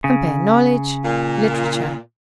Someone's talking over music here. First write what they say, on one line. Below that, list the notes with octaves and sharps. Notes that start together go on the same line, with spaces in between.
Compare KNOWLEDGE; LITERATURE.
C#3
A#2